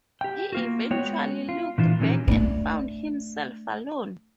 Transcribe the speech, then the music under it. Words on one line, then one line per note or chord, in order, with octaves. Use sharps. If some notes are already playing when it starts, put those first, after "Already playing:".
He eventually looked back and found himself alone.
G4 G5
A#3 F4 F#4
G#3 B3 F#4 C#5 G5
F4
A#2 E3 D4 F4
A#2 E3 F#3 C#4 D#4 G4
A3 D4